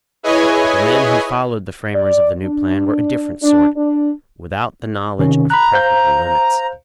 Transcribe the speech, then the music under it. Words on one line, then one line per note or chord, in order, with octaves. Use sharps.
But the men who followed the framers of the new plan were a different sort, without the knowledge of practical limits.
E4 G#4 B4 C#5 D#5 G#5
D5
D4
D4
D4
C3 D#3 C#4
A#5 B5 F#6
C5 F5 G6